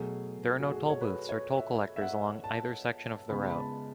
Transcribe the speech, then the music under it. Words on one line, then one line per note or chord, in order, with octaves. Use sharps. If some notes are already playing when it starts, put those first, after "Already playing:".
There are no tollbooths or toll collectors along either section of the route.
Already playing: B2 F#3 A3 G#4
F#4
G#4
C#5
B4
C#5
E5
E5
F#5
A5
C#3 G#3 B3 B5
B5
A5